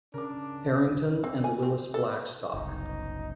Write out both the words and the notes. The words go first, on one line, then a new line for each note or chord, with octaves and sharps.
Harrington, and Louis Blackstock.
C#3 D4 A#4 D6
C4
G#5
C4
A4
F#1 C2 D#4